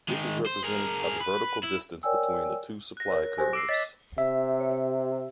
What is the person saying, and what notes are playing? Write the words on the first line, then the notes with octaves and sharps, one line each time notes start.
This is represented by the vertical distance between the two supply curves.
D#3 G#3
C5
G#4 A#4
B4
E4
A#4 C#5 D5 G5 G#5 E6
F#6 A#6
A#4 C#5
G4 C5 G#5
D6 E6 C7 D7
C#5 D#5 A6 B6
C3 E5